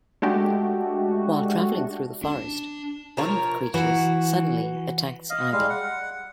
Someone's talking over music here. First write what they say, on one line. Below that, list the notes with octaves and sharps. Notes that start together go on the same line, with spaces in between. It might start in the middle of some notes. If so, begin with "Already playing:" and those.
While traveling through the forest, one of the creatures suddenly attacks Ivy.
G#3 A3 D4 F#4 G4
D4
F3 A#4 C#5
E3 F#4
D#5 F5
G3 G#3 F5
F#5